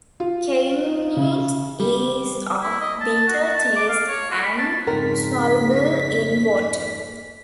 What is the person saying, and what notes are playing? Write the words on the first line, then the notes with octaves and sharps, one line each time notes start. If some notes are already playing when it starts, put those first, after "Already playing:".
Kainite is of bitter taste and soluble in water.
F4
C#3
G3
E4
D#5
A5
F#4
F#4
A5
D6
F5
C#5
F#4
B5
A5
F2 G#2 C#3 C4 A#4 B6